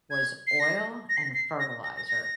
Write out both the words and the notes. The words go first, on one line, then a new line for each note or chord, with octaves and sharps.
was oil and fertilizer.
G#6
C7
A#6
A#6
C7
A#6
C7
A#6
A#6
A#6
A#6